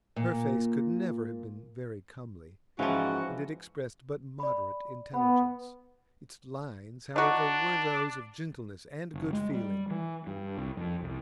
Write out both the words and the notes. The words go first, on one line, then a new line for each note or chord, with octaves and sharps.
Her face could never have been very comely, and it expressed but moderate intelligence; its lines, however, were those of gentleness and good feeling.
A#2
G#2 E3 F3 C#4 F#4 F5
D5 B5
B3 F#5 B5
D4 D#4 F#4
F#1
G#3
G3
E3
G2
C2
F2
C2